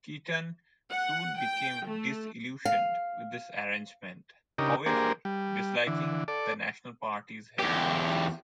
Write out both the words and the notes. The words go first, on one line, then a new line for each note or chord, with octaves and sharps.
Kirton soon became disillusioned with this arrangement, however, disliking the National Party's health policies.
F#5
G5
A3
F5
C#3 D4 D#4 G4 A#4
A#3 D4 G4 G#4 A#4 C5
G3
D3 E3
A4 D5
E2 G4